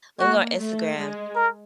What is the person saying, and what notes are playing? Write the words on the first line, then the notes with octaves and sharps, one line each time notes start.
Lemme go on Instagram."
A#3 F#4
A3
G#3
A#4